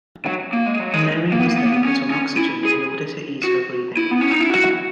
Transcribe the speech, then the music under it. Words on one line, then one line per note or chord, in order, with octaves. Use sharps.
Mary was then put on oxygen in order to ease her breathing.
F#3
A#3
G#3
F#3
G#3
A#3
B3
A#3
B3
A#3
B3
C#4
C#4
E4
G#4
F#4
E4
B3
C#4
D#4
E4
F#4